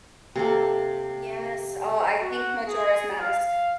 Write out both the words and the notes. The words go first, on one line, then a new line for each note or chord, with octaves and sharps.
Yes, oh, I think Majora's Mask.
C3 A#3 A4
F#4
G#4
F5